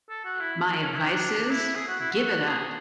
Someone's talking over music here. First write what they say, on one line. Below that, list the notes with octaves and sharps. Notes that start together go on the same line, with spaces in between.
My advice is—give it up!
A4
F#4
E4
C#4
E4
D4
E4
G#4
F#4
E4
F#4
F#4
G#4